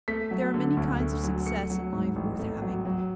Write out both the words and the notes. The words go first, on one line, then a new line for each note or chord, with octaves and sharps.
There are many kinds of success in life worth having.
A3 B6
F#3
D3
D2
A3
F#3
A3 C#7
F#3
G#2
A1
A3
F#3
F#3